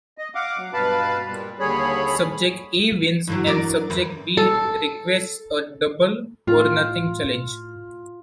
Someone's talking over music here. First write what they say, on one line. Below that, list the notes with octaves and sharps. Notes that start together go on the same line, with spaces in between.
Subject A wins and subject B requests a “double or nothing” challenge.
D#5
F5 F#5 D6
F#3
G2 B2 B4 F5 A5 B5
A#2 G3
D#2 D3 G3 G#4 C#5 B5
G2 D3 E3 F#3
F#3 A#4 D5
F2 E3
A4
A2 F4